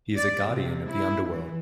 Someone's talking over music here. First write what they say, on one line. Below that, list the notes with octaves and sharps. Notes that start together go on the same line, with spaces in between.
He is a guardian of the underworld.
D5
C3
E4
E3